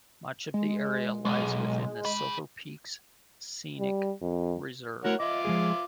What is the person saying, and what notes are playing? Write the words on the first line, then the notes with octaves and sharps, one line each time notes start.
Much of the area lies within the Silverpeaks Scenic Reserve.
G#3
B1 G#3
G#4 B5
G3
F2
A3 E4 F#4 A#4 C#5 F#5
F4 D#5 E5 D6
F3 G#3 G#4